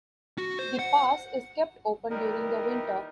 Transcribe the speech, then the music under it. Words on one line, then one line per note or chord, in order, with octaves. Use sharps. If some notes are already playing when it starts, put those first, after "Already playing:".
The Pass is kept open during the winter.
F#4
C5
F#5
A#2 D#3 E3 G3 A#4